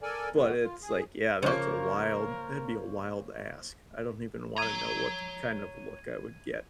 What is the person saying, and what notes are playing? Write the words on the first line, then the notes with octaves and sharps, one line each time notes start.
But it's, like, yeah, that's a wild that'd be a wild ask. I don't even wanna know what th kind of look I would get.
A4 A#4 D5 G#5
F2 G#2 E3 G#3 B3
F4
G#4
C#3 F3 A#3 C#4 A#4 C5 C#5 C#6
C#5 A#5 G#6 D#7